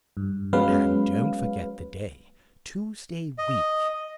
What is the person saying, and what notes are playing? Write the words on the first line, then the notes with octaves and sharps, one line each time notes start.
And don't forget the day, Tuesday week.
G2
F#3 G#3 B3 C#4 B4 F5
D#5